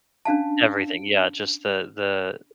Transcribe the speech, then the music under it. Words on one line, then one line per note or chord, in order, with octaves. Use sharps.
everything, yeah, just the the
C#4 D4 F5 A5